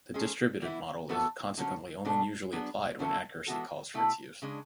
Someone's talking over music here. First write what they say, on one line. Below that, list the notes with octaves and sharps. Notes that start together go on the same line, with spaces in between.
The distributed model is consequently only usually applied when accuracy calls for its use.
G#3 C#4 G#4
E3 B3 E4
A2 E3 B3 F#4 A4
D3 F#3 C#4
B2 A3 D4 A4
F#3 B3 D4 G#4
D3 F#3 C#4 E4 A4
E3 G#3 B3 F#4 A4
B2 A3 E4
C#3 G#3 D4